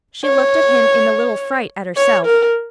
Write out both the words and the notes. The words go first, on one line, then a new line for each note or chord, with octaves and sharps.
She looked at him in a little fright at herself.
C#5
C#5
A#4